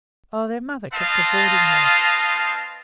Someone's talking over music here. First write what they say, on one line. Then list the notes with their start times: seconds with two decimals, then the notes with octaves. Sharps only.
'Oh! their mother kept a boarding-house.
0.94 C4 F4 B4 D#5 F5 A5